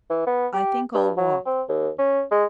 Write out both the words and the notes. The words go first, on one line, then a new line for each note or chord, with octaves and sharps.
"I think I'll walk."
E3
B3
G4
G2
F#3
C4
D#2
C#4
G#3